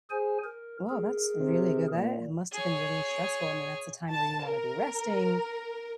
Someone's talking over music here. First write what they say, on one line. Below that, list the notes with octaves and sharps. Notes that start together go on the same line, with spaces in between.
Whoa, that's really good, that ha must've been really stressful, I mean, that's the time where you wanna be resting,
G#4 C5 G#5
A#4
G#4 A#4
C3
A#2
G#4 C#5
A5
A#4